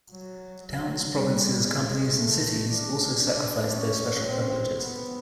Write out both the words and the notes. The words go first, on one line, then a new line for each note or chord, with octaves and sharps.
Towns, provinces, companies, and cities also sacrificed their special privileges.
F#3
F#3
G3
G#3
A3
D4
D4
C#4
C4
B3